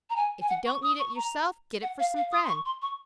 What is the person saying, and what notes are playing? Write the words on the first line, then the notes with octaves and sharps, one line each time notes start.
If you don't need it yourself, get it for some friend.
A#5
G#5
G#5
F#5
C#6
D#6
C#6
A#5
F#5
F5
F5
D#6
C6
C#6
C6
C#6